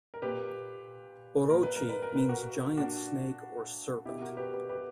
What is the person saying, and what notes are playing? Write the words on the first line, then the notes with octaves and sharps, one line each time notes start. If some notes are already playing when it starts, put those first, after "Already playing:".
"Orochi" means "giant snake" or "serpent".
A#4
A#2 G4 B4
A#2 A#4
B4
A#4
B4
A#4
B4
F#4 A#4
A#2 D4 F#4
B2 E4 G4
F#4 A#4
G4 B4
G4 B4
G4 B4